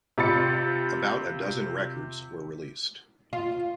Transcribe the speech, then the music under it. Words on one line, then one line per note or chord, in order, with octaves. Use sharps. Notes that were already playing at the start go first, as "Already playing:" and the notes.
About a dozen records were released.
C3 F4 B5 A6 C#7
F4